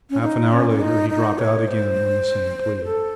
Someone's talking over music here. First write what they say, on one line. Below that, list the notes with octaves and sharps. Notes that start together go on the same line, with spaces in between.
Half an hour later he dropped out again on the same plea.
C#4
D#4
C#4
C#4
D#4
D#4
C#5
C5
A4